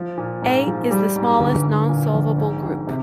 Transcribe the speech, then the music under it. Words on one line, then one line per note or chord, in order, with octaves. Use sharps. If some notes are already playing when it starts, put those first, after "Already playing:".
A is the smallest non-solvable group.
Already playing: F3
A#2
G#2
F3
G3
G#2
G1
G1
A#2
A#1
G#2
G#1
C3